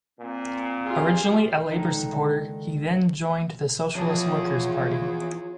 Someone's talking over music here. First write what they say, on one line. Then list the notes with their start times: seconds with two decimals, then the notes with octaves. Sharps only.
Originally a Labour supporter, he then joined the Socialist Workers Party.
0.19 A#2 C4
0.86 F4 G4 G#4
1.72 C#2 A#2 D3 D#3 D#4
3.95 E2 F3 F4 G#4 C#5 A5